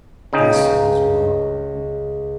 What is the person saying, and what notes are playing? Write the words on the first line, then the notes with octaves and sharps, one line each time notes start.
This was one.
C#3 D#4 G5
C#2